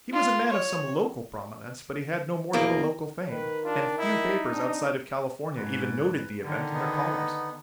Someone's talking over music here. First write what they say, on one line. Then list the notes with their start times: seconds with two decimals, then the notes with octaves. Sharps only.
He was a man of some local prominence, but he had no more than a local fame, and few papers outside of California even noted the event in their columns.
0.13 F4
0.51 C#5
2.53 E2 B2 A#3
3.29 D#3 B4
3.64 D4 F4
3.98 D#4 E4
4.52 C4 D4 D#5
5.56 G#2 B4
6.42 D3 D#3
6.73 B3 D#4